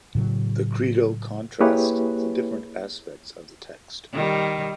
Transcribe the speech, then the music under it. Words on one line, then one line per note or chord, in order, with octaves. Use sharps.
The Credo contrasts the different aspects of the text.
A2 C#3 F#3
A#3 E4 G4 G#4 B4 C#5
D#3 G3